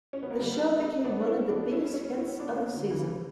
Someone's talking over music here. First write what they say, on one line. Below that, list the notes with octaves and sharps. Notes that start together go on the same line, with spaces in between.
The show became one of the biggest hits of the season.
C#4
B3
A#3
G3 B3
B3 D4
C#4 E4
B3 D4
C#4 E4
C#4 E4
C#4 E4
B3 D4
A#3 C#4
D3 F#3
C#3 E3